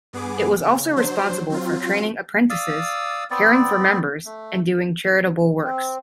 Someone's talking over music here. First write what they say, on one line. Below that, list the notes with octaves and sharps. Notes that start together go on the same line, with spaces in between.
It was also responsible for training apprentices, caring for members and doing charitable works.
G2 B3 G#4 D6
C#3
F#3 D4 C5
F#3 C4 F4
D5 F5 D#6 E6
B3 C4 D5
A3
C4